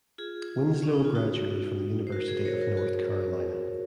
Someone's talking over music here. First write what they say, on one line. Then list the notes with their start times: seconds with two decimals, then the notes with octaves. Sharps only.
Winslow graduated from the University of North Carolina.
0.18 F4 G#4
0.83 C#4
0.94 D#4
1.04 F4
1.15 D#4 F#4
2.07 C5
2.12 F#4 A#4
2.28 G#4 C5
2.45 A#4 C#5
2.61 F#4 A#4
2.77 F#4 A#4